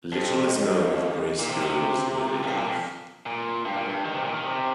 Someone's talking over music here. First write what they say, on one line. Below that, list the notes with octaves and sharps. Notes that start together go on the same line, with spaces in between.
Little is known of Bracegirdle's early life.
F2
A#2
C3
D#3
C3
F2
G2
A#2
F2
A#2
G2
A#2
G2
D#3
C3
A#2
D#3
C3